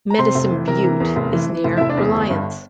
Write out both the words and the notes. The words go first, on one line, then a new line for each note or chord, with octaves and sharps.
Medicine Butte is near Reliance.
A#5
C3 C5 C6
F1
E3
C3 A#4 A#5
E3
E2
F1
E3
E3
F1
E4 E5
F1
D4 D5
E2
G1
G2